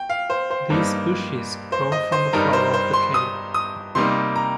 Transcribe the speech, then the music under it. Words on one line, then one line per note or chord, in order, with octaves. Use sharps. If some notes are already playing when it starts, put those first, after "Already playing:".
These bushes grow from the floor of the cave.
Already playing: G5
F5
C5
C5
G2 G3 A#3 D#4
C5
D#5
C5
G2 G3 D#4 A#4
C5
C5
C6
D#6
D#6
C3 G3 A#3 D#4 C6
A#5